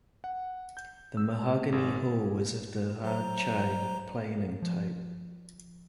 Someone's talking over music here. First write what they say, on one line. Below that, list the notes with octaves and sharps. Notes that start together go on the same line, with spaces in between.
The mahogany hull was of the hard chine, planing type.
F#5
G6
E6
G#1
F#3 C5 A#5
F3